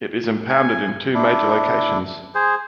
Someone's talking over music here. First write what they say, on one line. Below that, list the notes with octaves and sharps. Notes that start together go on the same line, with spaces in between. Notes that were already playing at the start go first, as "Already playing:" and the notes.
It is impounded in two major locations.
G#5
D4 E4
G#4 C5